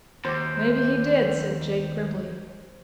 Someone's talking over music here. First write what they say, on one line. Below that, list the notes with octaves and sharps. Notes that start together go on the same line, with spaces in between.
"Maybe he did," said Jake grimly.
D#2 C5 D6